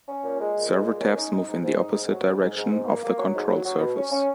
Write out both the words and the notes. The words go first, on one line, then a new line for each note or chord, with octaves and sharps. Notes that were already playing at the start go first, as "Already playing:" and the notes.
Servo tabs move in the opposite direction of the control surface.
C#4
A#2
G#3
A#2
G#3
A#2
C#4
D#4
D#4
G#2
G#2
D#4
G#2
F#3
G#2
G#2
G#2
G#2
A#3
A#3
F#3
G#2
F#3
F#3
B2
C#4
C#4